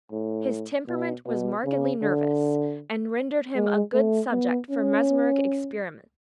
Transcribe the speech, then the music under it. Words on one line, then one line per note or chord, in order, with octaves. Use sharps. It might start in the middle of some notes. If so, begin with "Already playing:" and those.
His temperament was markedly nervous, and rendered him a good subject for mesmeric experiment.
A2
B2
B2
C#3
D3
G#3
A3
B3
C#4